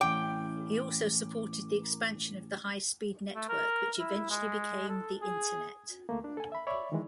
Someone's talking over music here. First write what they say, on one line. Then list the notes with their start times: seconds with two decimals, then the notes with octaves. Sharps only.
He also supported the expansion of the high-speed network which eventually became the Internet.
0.01 A2 E3 C#4 G5 D6
3.35 A3
3.49 A#4
3.99 E4
4.30 G#3
4.89 A4
5.21 G#4
6.09 D2 A3 A#3
6.24 D4
6.37 A4 G#5
6.52 E5 B5
6.67 C#5 D5 E5 B5 C#6
6.92 D#3 E3 G#3